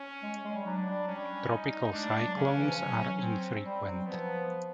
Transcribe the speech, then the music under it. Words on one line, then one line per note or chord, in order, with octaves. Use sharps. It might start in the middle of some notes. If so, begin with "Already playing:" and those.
Tropical cyclones are infrequent.
Already playing: C#4
G#3
G#3
G3
F#3 D4
G3
G3 C#4
D#4
G#3 D4
A3
G#3
F#3
C#3 C#4
C#3
E3
F3
F#3
C4
G3 C4
F#3
F3 B3